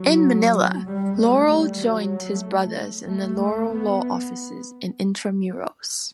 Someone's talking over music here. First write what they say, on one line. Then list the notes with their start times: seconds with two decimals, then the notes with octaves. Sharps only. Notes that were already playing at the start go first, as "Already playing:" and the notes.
In Manila, Laurel joined his brothers in the Laurel Law Offices in Intramuros.
Already playing: F#3
0.86 G3
1.18 A3
1.49 G3
1.81 F#3
2.29 A3
3.08 A3
3.38 A3
3.70 B3